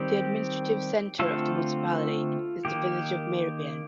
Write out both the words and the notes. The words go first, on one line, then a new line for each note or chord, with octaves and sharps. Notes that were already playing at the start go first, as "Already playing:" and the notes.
The administrative centre of the municipality is the village of Meieribyen.
Already playing: D#3 G3 C4 G4
D3 A3 C4 F4 A4
D#3 A#3 G4